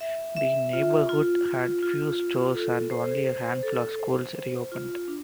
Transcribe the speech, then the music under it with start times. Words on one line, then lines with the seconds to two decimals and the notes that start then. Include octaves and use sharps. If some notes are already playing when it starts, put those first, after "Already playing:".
The neighborhood had few stores and only a handful of schools reopened.
0.01 E5
0.37 E5
0.73 F4
1.09 F4
1.46 F4
1.82 F4
2.18 F4
2.54 A4
2.91 C5
3.27 C5
3.63 A4
3.99 C5
4.36 C5
4.72 F4
5.08 D4